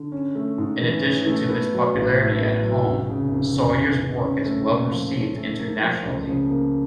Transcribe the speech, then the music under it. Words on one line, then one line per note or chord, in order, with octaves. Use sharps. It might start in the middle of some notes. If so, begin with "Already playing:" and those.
In addition to his popularity at home, Sawyer's work is well received internationally.
Already playing: D3
C#4
A3
G#2
E3
C#4
A3
B3
F#3
A1
A2
B3
F#3
F1
C#3
F1
E2
F1
C#3
C#4
A3
A#2
F3
C#4
A3
A#3
F3
C#2
C#3
A#3